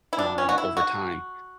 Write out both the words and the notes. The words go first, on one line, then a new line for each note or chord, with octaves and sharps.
um, over time,
E4
D4
C#4
F#4
E4
F#4